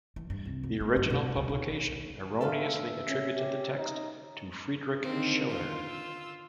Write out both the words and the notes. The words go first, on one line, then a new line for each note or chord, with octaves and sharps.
The original publication erroneously attributed the text to Friedrich Schiller.
E3
G2
C2
F2
B3
G2
B2
D2
D#4
B1
A4 B4 E5 F5
C#4
G4
D#4
D3 D#3 A#3 C4
F4
E6